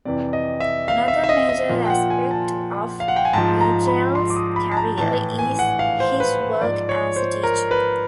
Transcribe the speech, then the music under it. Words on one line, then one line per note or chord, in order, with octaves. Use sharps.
Another major aspect of Guettel's career is his work as a teacher.
F2 C3 E3 D5
D#5
E5
F5
E5
E5
D#5
D#5
A#2 F3
G5
F#5
G#5
A5
F5
F#5
G5
G#5
G#2 F3 A5
A#5
B5
C6
D6
D#6
B5
A5
A#5
A2 E3 A5
G#5
F#5
F5
C5
B4
C5
G#2 F3 D5
C#5
C5
A#4
B4